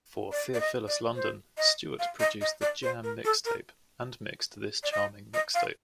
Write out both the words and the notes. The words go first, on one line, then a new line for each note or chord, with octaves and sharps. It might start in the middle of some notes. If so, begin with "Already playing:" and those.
For Theophilus London, Stewart produced the Jam Mixtape and mixed This Charming Mixtape.
D5
D5
D#5
D5
C5
D#5
F5
D#5
D#5
D5
C5
A#4
A4
A#4
D5
D#5
D#5
F5